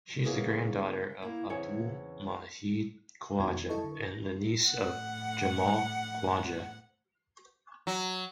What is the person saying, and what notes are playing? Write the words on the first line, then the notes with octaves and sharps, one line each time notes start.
She is the granddaughter of Abdul Majeed Khwaja and the niece of Jamal Khwaja.
C#3 A#3 B3 E4 G#4 A#4
A#3 E4
E2 C#3 C4 E4 C#5 G#5
F2 B2 D#3 F#3 F#4 G#6
E4 A4 D#5 A5 C#6
D3
A#6
A2 F#5
F#3